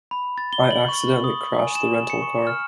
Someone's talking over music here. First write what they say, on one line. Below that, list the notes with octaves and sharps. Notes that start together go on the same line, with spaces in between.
I accidentally crashed the rental car.
B5
A6
G7
F#7
C#6
D#6
G#5
E7
C#7
C#6
F6